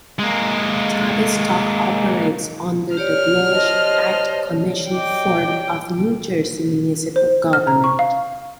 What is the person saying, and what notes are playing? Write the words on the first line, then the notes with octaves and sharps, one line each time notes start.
Tavistock operates under the Walsh Act commission form of New Jersey municipal government.
G#3 A#3
G4 C#5 D5 F6
C5 D#5 A5
D#5 G5 D6
C5
F6
A#5
C#6
F5